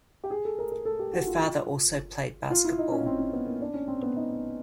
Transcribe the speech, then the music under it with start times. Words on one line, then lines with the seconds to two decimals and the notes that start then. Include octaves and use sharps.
Her father also played basketball.
0.24 G4
0.30 G#4
0.45 A4
0.59 A#4
0.72 A#4
0.85 A4
0.99 G4
1.14 F#4
1.27 F4
2.50 F4
2.64 E4
2.78 D#4
2.92 C#4
3.06 C4
3.19 C4
3.33 B3
3.46 A#3
3.61 D4
3.74 C#4
3.88 C4
4.02 B3
4.16 D#4